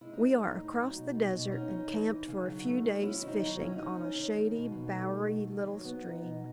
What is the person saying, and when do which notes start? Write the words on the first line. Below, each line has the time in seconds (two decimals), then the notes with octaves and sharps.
We are across the desert, and camped for a few days' fishing on a shady, bowery little stream.
0.01 G#3 E4
0.13 D#4
0.20 G#3
0.26 C#4
0.38 A2 D#4
0.58 A2
0.77 F#3
0.96 B2
1.15 B2
1.33 B2
1.52 C#4 D#4
1.71 C#4
1.90 E3
2.08 E3
2.27 C#3
2.46 F#3
2.65 A3
2.84 F#3
3.03 C#4 E4
3.22 D#3
3.27 D#4
3.40 F#3
3.53 D#4
3.59 C#4 E4
3.67 D#4
3.78 C#4 D#4
3.97 C#4
4.15 D#3
4.34 D#3
4.53 B2
4.72 B2
4.91 A3
5.10 B2
5.28 D#3
5.48 D#3
5.67 F#3
5.85 B3
6.04 B3 D#4
6.22 B2